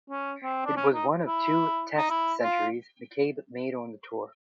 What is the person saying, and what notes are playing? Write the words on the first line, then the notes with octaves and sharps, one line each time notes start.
It was one of two Test centuries McCabe made on the tour.
C#4
C4
D4
C#4
D#4
E4
D#4
E4
F4